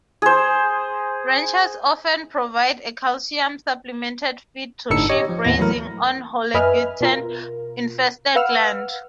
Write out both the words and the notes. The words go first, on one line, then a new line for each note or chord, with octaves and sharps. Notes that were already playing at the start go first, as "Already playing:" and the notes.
Ranchers often provide calcium-supplemented feed to sheep grazing on halogeton-infested land.
G#4 C5
G1 A2 D4 D#4 E6 C#7
G4 C#5 D#5
F3
D#2 A2 B3 A#6
E3 F#3 A3 E4 A#4
F#2 B4 D#5 E5 G#5 F6
B2 F4 A#4
B4 F5 F#5 E6 F6